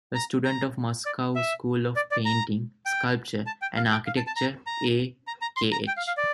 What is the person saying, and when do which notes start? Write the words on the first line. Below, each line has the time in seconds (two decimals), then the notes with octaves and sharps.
A student of Moscow School of Painting, Sculpture and Architecture A. Kh.
0.15 A#5
0.45 A#5
1.06 D5
1.35 E5
1.96 D5
2.11 D5
2.25 A#5
2.86 G5
3.46 A5
3.62 G5
3.77 F5
3.92 G5
4.06 F5
4.17 A5
4.27 A5
4.36 A#5
4.67 A#5
5.27 A#5
5.42 A#5
5.57 C6
5.72 A#5
5.87 G5
5.97 F5
6.07 F5
6.17 D5